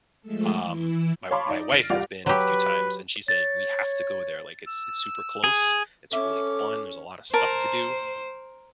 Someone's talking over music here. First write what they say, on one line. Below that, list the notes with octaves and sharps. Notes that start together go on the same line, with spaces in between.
um, my my wife has been a few times, and she said, "We have to go there," like, it's it's super close, it's really fun, there's a lotta stuff to do,
F3 G#3 A3 A4
E3 E4
C#5 F5 A5 B5 C6 D6
D#4 D5
F6 A6 A#6 C7 D7 D#7
C2 G3 F4 D5 F#5 F7
F#3 G4 B4
C#5 A6
E6
G#4
C#4 A4 E5 D6
A#4 C5 A5